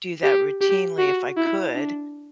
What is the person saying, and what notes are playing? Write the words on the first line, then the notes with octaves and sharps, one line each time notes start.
do that routinely if I could,
G4
G4
F#4
E4
D4